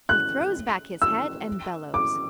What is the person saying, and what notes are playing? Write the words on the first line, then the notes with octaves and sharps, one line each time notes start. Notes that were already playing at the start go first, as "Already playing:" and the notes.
He throws back his head and bellows.
F#6
E6
D6